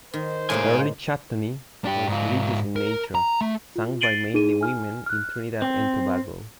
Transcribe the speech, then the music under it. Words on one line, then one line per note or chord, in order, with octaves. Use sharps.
Early chutney was religious in nature sung by mainly women in Trinidad and Tobago.
D#3 C5
A2 G#3 A#3 F5 G#5
D4 G4
G#2 F4
A#4
A#5
A3
F4
A6 C7 D7 D#7 F#7 G7
D#4 G#4 D#7
G#5 F6
F6 F#6
C4